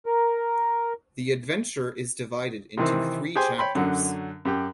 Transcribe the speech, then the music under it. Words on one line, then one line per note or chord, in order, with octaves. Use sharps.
The adventure is divided into three chapters.
A#4
C3 D#3 E3 C4
G4 G#4 C5 G5 G#5 C6
C#5 G5 B5 C6
F#2 D3 F#3 F#5
F#2 G4 G5